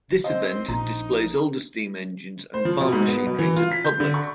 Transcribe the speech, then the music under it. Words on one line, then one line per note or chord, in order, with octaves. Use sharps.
This event displays older steam engines and farm machinery to the public.
C4 C5 D#5
A#1 D#4 A#5
C5
F3
B2
G#2
B3
B2
E3
F4
B6
G6
D3
C#6